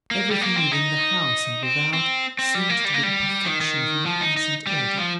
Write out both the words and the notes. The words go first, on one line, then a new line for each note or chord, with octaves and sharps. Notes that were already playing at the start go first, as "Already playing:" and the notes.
Everything within the house and without, seemed to be the perfection of neatness and order.
A#3
G3
A#3
C4
D#4
C4
C4
C4
G3
A#3
G3
A#3
G3
D#3
D#3
F3
D#4
D#4
G3
F3